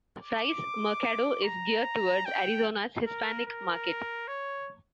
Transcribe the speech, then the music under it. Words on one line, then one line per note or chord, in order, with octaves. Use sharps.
Fry's Mercado is geared towards Arizona's Hispanic market.
D6
A#5
G5
A#4
A#4
C#5